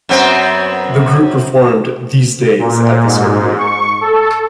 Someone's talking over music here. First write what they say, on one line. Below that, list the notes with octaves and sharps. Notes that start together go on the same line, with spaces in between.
The group performed "These Days" at the ceremony.
F#2 B3 C4
A#2
G#2
C#6
A4